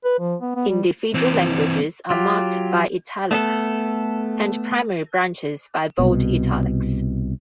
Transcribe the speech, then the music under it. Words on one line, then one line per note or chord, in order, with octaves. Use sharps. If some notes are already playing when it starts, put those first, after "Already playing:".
Individual languages are marked by "italics", and primary branches by bold italics.
B4
F3
B3
B3
G3
E3 C4
F#3 F4 G4
A3 B3 A4
C2 B2